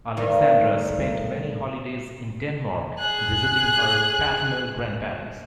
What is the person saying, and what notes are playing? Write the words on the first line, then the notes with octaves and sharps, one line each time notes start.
Alexandra spent many holidays in Denmark visiting her paternal grandparents.
D2 G2 D#3
G#4 F#6